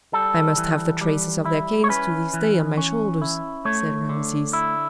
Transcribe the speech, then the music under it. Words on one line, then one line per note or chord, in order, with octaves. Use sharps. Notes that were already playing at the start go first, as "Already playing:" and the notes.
"I must have the traces of their canes to this day on my shoulders," said Rameses.
G3 A4
E3
G3
E4
C#5
C#4 B4
E3
C#4
E4
A3 C#5
D3
E4